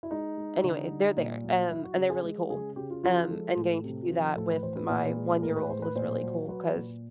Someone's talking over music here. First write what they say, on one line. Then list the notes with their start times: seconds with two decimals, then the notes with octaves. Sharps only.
anyway, they're there, and and they're really cool, um, and getting to do that with my one-year-old was really cool 'cause,
0.03 E4
0.11 G#3 D#4
0.37 G#3
0.64 D3
0.90 G3
1.17 A#2
1.44 F#3
1.70 F#3 E4
1.84 F#4
1.96 C#3
2.10 G#4
2.23 G#3
2.50 C#3 G#4
2.76 C#3 G4
2.90 F4
3.03 F3 F4
3.16 F4
3.30 G#3 A4
3.56 A2
3.84 C3
4.10 F3
4.36 A2 A4
4.50 B4
4.63 E3 C5
4.76 B4
4.89 A#2 B4
5.17 G#3
5.42 A2 A#4
5.57 B4
5.69 A2 C5
5.82 B4
5.96 A#2 C5
6.23 F#3
6.48 F#3 B4
6.76 A#2